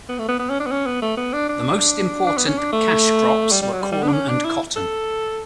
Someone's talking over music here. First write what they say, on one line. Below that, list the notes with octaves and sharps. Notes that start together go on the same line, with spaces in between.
The most important cash crops were corn and cotton.
B3
A3
B3
B3
C#4
D4
B3
C#4
B3
A3
B3
D4
D4
D4
B3
C#4
D4
A3
G3
G3
F#3
G3
G3
B3
D4
C#4
D4
E4
A4